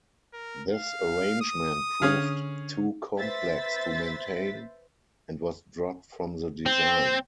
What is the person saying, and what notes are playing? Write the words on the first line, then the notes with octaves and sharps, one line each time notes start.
This arrangement proved too complex to maintain and was dropped from the design.
A#4
F5
D#6
D3 C#4 G#4 F5
B4 C5 E5 A6 B6
C4